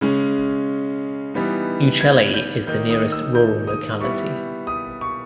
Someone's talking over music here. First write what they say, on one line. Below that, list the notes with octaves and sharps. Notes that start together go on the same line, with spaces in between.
Uchaly is the nearest rural locality.
C#3 G#3 C#4
E3 G3 B3 D#4
G#6
G6
D#3 A#3 D#4 G6
D#6
E6
G6
D#6
G3 B3 E4 C#6
D#6
C#6